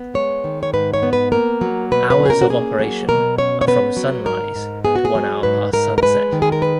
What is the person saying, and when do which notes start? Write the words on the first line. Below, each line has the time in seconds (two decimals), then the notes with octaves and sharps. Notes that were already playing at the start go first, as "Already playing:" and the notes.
Hours of operation are from sunrise to one hour past sunset.
Already playing: B3
0.14 G#3 C#5
0.44 D#3
0.63 C#5
0.73 G#2 B4
0.94 C#5
1.03 B3
1.13 B4
1.32 A#3 A#4
1.61 F#3
1.91 B2 B4
2.10 B4
2.20 C#4
2.25 G#4
2.30 A#4
2.41 F#4
2.50 A#3 G#4
2.79 F#3
3.08 B2 A#4
3.38 C#4 C#5
3.61 C#5
3.68 B3 B4
3.97 F#3
4.26 G#2 A#4
4.56 G#2
4.85 B3 G#4
4.95 F#4
5.05 G#4
5.15 F#3
5.43 G#2 B4
5.73 G#2 A#4
5.98 A#4
6.02 G#3 B4
6.32 D#3
6.42 G#4
6.52 A#4
6.62 B4